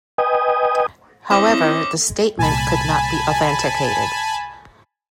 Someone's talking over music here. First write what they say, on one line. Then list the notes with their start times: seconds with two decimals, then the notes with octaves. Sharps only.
However, the statement could not be authenticated.
0.18 B4 D#5 G5 G#5 D#6
1.31 C4 C#4 E4 C5 D#5 D6
2.39 C2 A#2 G#5 A5 B5